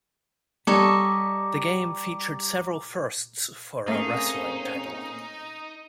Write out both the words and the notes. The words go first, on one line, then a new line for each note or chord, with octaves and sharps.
The game featured several firsts for a wrestling title.
G3 A4 C#5 D#5 A#5 D6 C#7
A3 A#3 C4 C#4 D#4 G#4